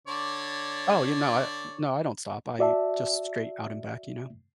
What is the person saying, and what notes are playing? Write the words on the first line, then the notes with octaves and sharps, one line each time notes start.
Oh, yeah, no, I no, I don't stop, I just straight out and back, you know?
D3 C#5 D5
F#4 D5 E5 A5